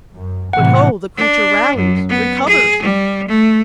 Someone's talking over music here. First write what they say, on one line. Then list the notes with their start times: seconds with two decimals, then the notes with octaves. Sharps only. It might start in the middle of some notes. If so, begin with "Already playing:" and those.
But ho! the creature rallies--recovers!
0.15 F#2
0.53 A2 C3 E3 F#5
1.17 D4
1.76 F#2
2.09 B3
2.46 G#4
2.82 G3
3.28 A3